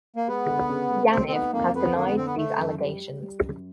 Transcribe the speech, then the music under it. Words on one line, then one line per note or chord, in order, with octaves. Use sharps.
Yaniv has denied these allegations.
A#3
G#3 B3
D3
C#3
A3
C3 C4
C4
B3 D#4
F2 A#3
F2 B3
D3 A#3
B3
D3 C4
B3
D3 A3
F#2
G3
G3
G3
F#2